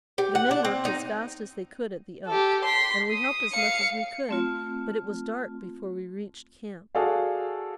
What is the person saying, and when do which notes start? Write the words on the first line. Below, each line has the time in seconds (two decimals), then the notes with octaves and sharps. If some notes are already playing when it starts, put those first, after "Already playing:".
The men worked as fast as they could at the elk, and we helped as much as we could, but it was dark before we reached camp.
0.18 G4
0.35 F#5
0.51 D4
0.65 C4
0.85 D#4
2.27 G4 A4
2.64 C6 B6
3.11 D#6
3.52 F5 C#7
4.29 A3 C4 F4
6.95 F#4 G#4 A4 D5 F5